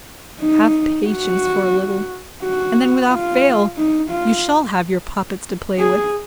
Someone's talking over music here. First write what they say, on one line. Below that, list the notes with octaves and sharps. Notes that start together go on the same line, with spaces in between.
Have patience for a little, and then without fail you shall have your puppets to play with.'
D#4
F#4
F#4
F4
D#4
F4
G#4